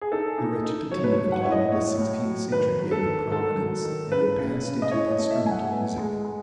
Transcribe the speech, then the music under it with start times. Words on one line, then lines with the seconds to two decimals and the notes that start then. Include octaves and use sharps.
The recitative of the sixteenth century gave it prominence, and it passed into instrumental music.
0.01 G#4
0.12 D#4 A4
0.38 D#4
0.65 D#4
0.92 F#3 C#5
1.04 B4
1.12 C#5
1.19 F#3
1.32 F#5
1.42 E4 C#5
1.52 D#5
1.72 A2 C#5
1.98 A2
2.25 F#3
2.52 D#3 B4
2.79 F#3
2.91 A4
3.05 D#3
3.32 D#3 A4
3.58 F#3
3.85 D#3
4.11 C#3 B4
4.38 C#3
4.65 C#3
4.82 D#5
4.91 E4 C#5
5.11 D#5
5.17 A3
5.31 E5
5.45 A3 G#5
5.51 F#5
5.72 B3
5.98 G#3
6.25 G#3